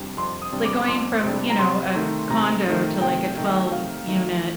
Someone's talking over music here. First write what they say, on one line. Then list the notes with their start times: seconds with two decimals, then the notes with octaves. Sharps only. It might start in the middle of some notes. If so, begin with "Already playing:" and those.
like, going from, you know, a condo to like a twelve-unit
Already playing: F2 C3 G3 D4
0.17 F2 C6
0.42 D#6
0.52 C3 G3 D4
0.65 D6
0.88 F2 C6
1.24 C3 G3 D4
1.50 A#5
1.59 C3 C6
1.95 D#3 A3 D#4
2.30 C3 A#5
2.66 D#3 A3 D#4
3.01 C3 G5
3.37 D#3 A3 D#4
3.72 C3 F5
4.07 D#3 A3 D#4